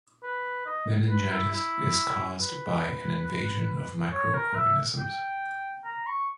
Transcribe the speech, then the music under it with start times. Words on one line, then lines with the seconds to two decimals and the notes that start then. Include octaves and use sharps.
Meningitis is caused by an invasion of micro-organisms.
0.23 B4
0.66 D#5
1.09 B4
1.32 E4
1.52 E4
2.40 B4
4.12 C#5
4.35 A#4
4.56 E5
4.99 G5
5.85 A#5
6.07 C#6